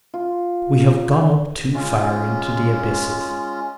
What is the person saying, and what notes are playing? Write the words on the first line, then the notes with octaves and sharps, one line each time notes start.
We have gone up too far into the abysses....
F4
G#3 C#4 F4